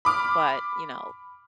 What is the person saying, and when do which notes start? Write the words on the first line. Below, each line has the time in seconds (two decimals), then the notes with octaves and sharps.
but, you know
0.05 B5 D6 F6